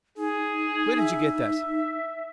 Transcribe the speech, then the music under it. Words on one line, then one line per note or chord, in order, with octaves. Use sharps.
Where did you get that?'
D#4 G#4
E5